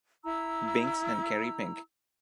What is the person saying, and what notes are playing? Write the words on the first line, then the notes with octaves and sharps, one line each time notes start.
Binks and Kerry Pink.
E4 A#5 E6